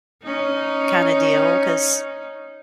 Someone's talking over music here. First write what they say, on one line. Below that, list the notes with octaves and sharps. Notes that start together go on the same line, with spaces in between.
kinda deal 'cause
C#4 D#4